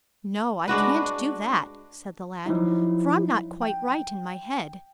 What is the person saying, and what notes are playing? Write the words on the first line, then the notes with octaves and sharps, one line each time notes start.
"No, I can't do that," said the lad; "for I'm not quite right in my head."
G#3 D4 F#4 B4
F3 F#3 D#4 E4
G5